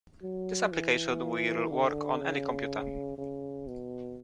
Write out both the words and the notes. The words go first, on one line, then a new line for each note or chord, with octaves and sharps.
This application will work on any computer.
F#3
E3
D3
C#3
C#3
B2